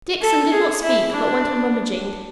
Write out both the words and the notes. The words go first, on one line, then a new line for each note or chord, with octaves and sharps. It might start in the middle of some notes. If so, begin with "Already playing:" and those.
Dixon did not speak, but went on rummaging.
A4
G#4
E4
D4